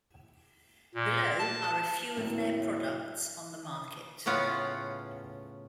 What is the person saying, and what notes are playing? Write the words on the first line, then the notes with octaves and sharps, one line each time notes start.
Below are a few of their products on the market.
A#2
A5
E2 A2 D3 F#3 A#3 C4
A2 C#3 B3 C#4 F4